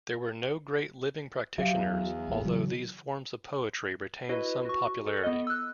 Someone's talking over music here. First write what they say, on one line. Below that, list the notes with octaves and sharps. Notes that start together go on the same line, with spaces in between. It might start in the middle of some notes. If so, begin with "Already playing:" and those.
There were no great living practitioners although these forms of poetry retained some popularity.
F#3 G4 E5 F5
E2
A1 A#2 A#3
C#3 E3 F#3
E4 F#4 B4 D#5
F#4 C#6
A4
B3 D#5
E6 F#6